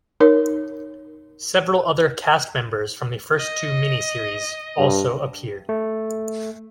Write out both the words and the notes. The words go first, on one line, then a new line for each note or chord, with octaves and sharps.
Several other cast members from the first two miniseries also appear.
D#4 A#4 C#5
D#5
G2
A3